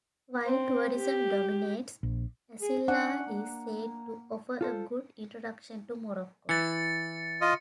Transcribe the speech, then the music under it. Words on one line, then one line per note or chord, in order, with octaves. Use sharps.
While tourism dominates, Asilah is said to offer a good introduction to Morocco.
C4
G4
A#1
G#4
C#4 D4 F#5
A#3
F4 A4 C5
E3 A6 C#7
F4 D#5